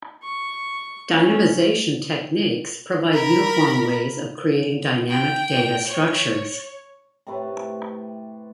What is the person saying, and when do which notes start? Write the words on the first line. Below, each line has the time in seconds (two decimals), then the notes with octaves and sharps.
Dynamization techniques provide uniform ways of creating dynamic data structures.
0.23 C#6
1.11 C#4
3.14 A#4 B5
5.10 G5
5.88 C#5
7.27 A2 C3 A3 B4